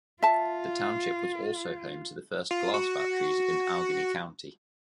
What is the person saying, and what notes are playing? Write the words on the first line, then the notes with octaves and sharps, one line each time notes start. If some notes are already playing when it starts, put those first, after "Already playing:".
The township was also home to the first glass factories in Allegheny County.
F4 E5 A5
F4
F#4